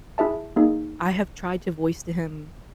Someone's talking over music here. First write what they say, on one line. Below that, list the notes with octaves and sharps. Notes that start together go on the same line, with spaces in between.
I have tried to voice to him
E4 G#4 E5 A5
A#3 D#4 G#4